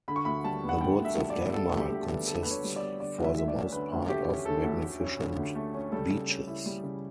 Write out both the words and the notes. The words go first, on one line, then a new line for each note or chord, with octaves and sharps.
The woods of Denmark consist for the most part of magnificent beeches.
D3 B5
C#6
D2 B5
G3 A5
B3
F#5
D3 G5
D2
E5
G3
D5
B3
D3 A4
D2 A4
G4
G3 G4
A4
B3
D3 A4
D2 B4
C#5
G3
D5
B3
D3 D5
D2
E5
A3 E5
D5
C#4
D3 B4
D2
A3 G4
C#4
D3 A4
D2
A3
C#4
D3
D2
A3
C#4
G3 A4
C#3
C#4
E4
G3
C#3